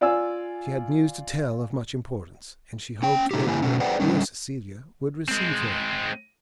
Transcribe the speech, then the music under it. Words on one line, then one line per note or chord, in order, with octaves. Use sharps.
She had news to tell of much importance, and she hoped that her "dear Cecilia" would receive her.
F4 D5 F5 G#5 E6
C#4 G5
B2 A3 D#4 F#4 G4
G2 D3 A#3 E4 G4 G#5
B2 A3 C#4
G#4 B4 C5 D5 F#5 G5
D3 G3 C#4
G#3 C4